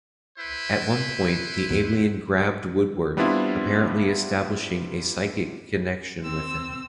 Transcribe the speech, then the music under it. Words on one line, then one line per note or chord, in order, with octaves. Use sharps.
At one point, the alien grabbed Woodward, apparently establishing a psychic connection with him.
E4 B4 C5
E2
G3 B3 C4 D4 E4 F4
C4 E6